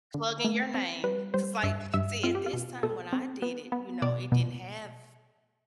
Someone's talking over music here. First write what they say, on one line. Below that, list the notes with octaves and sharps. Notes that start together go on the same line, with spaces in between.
Plug in your name. 'Cause, like, see, at this time when I did it, you know, it didn't have
D3
A3
C4
G3 B4
G3 C5
G2 E5
G2 E5
C4 F4
G4
F4
B2
B2 A4
C4
B3
B3
B2 D5
B2